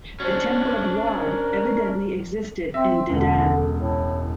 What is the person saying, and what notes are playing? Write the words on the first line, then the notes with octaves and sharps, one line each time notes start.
A temple of Wadd evidently existed in Dedan.
C#4 D4 F#4 C5
A#4
C4 E5
E1 C#2 D3
A2